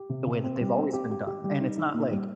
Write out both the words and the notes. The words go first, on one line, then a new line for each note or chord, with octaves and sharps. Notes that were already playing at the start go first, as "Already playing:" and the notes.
the way that they've always been done?" And it's not like,
Already playing: G4
C3
C3
C4
G3
C4
G4
G4
G4
G3
D#4
D#4
A#2
G3